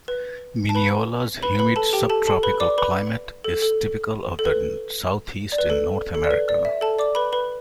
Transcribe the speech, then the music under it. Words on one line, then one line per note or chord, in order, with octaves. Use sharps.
Mineola's humid subtropical climate is typical of the Southeast in North America.
B4
A5
B4 B5
B4 B5
B4 B5
A4 A5
G4 G5
A4 A5
A4 A5
B4 B5
D5 D6
B4 B5
A4
A4
A4
B4
D5
B4
A4
A4
D5
B4
D5
E5
A4 A5
D5 D6
B4 B5
B4 B5